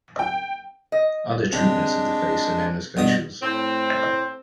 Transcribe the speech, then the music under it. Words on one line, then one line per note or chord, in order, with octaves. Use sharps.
Other treatments of the face are known as facials.
G5
D#5
C3 G#3 D4
G2 B2 D#6
A2 C4